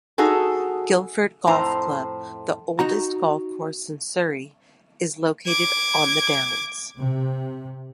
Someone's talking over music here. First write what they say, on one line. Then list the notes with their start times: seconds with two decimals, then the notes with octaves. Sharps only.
Guildford Golf Club, the oldest Golf Course in Surrey, is located on the Downs.
0.18 D#4 F#4 G#4 A4
1.47 F2 A2 C5 A#5
2.79 D#4 F#4 A#5
5.47 D6 G#6
6.98 C3